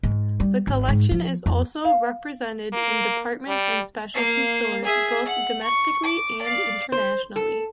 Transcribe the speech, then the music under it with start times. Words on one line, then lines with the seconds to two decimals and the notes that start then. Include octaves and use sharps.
The collection is also represented in department and specialty stores both domestically and internationally.
0.03 G#2
0.40 G3
0.67 G#1
0.89 G#2
1.11 F3
1.46 F2
1.85 F5
2.73 A#3
3.48 G3
4.14 A#3 F5
4.84 G#4 E5
5.25 F#5
5.63 C#6
6.04 D6
6.42 D5 F5
6.92 C5
7.36 A4